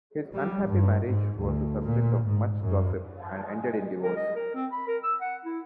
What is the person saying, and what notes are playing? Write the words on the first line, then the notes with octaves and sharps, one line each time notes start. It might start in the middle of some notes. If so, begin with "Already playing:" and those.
His unhappy marriage was a subject of much gossip, and ended in divorce.
G3
G2
G#2
D2
A#2
G#2
F#2
A#4
D#5
A#4
C4
B5
A#4
E6
F#5
E4